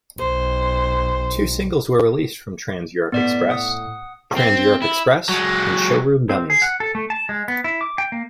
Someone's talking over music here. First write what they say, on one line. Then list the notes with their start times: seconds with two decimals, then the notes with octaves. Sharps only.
Two singles were released from "Trans-Europe Express": "Trans-Europe Express" and "Showroom Dummies".
0.19 B1 C5
3.12 A2 B3 D5 B6
3.49 F#5 D#6
4.37 C4
4.82 E4
5.29 F#3 G#3
6.29 C4
6.50 G#4
6.62 F#5
6.80 A4
6.95 A3
7.10 A5
7.29 G#3
7.48 B3
7.64 E4
7.81 D6
7.98 G5
8.12 A#3